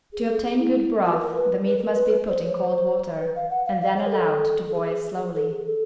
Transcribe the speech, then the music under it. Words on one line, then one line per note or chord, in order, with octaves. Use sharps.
To obtain good broth the meat must be put in cold water, and then allowed to boil slowly.
G#4
A4
G#4
E4
F4
B4
A#4
B4
B4
A#4
B4
C5
C#5
C5
B4
F5
F#5
F5
F5
C#5
A#4
A4
A4
G#4
A4
G#4
A4